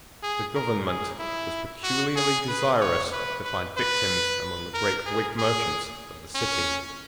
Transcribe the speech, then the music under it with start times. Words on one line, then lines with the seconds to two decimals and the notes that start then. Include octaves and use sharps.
The government was peculiarly desirous to find victims among the great Whig merchants of the City.
0.23 G#4
0.55 A#4
0.87 G#4
1.19 E4
1.83 F#4
2.16 G#4
2.48 B4
2.81 C#5
3.13 B4
3.45 B4
3.77 B4
4.74 A#4
5.06 G#4
5.38 G#4
6.35 C#4